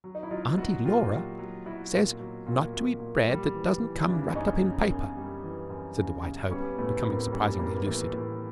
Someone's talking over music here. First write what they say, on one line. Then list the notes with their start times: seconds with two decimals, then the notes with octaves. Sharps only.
"Aunty Lora says not to eat bread that doesn't come wrapped up in paper," said the White Hope, becoming surprisingly lucid.
0.04 F#3
0.15 D#4
0.23 E4
0.31 F#3 D#4 F4
0.57 F#3 E4 F#4
0.84 A#2 F4 G4
1.12 F#3
1.39 F#3
1.66 F#3 E4 F#4
1.93 A#2
2.20 F#3
2.47 A#2
2.74 A#2
3.00 A#2
3.28 G3
3.54 E3
3.82 E3
4.08 C#3 D4 E4
4.35 F#2 C#4 D#4
4.62 C#3
4.90 F#2
5.16 G3
5.43 E3
5.70 F#2
5.97 C#3
6.24 C#3
6.51 G3 B3 C#4
6.78 A2 A3 B3
7.05 A2 A#3 C4
7.32 G3 B3 C#4
7.59 A2 A#3
7.67 B3
7.77 A#3
7.86 E3 A3 B3
8.13 A2 A#3